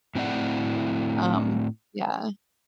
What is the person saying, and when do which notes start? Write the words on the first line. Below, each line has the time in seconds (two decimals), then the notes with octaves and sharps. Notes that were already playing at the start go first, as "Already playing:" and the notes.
um, yeah.
0.15 A2 C4 E4 F#4 D5 F#5